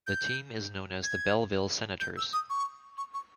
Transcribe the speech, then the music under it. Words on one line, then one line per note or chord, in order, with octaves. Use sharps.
The team is known as the Belleville Senators.
G6
G#6
G6
E6
D#6
C#6
C#6
C#6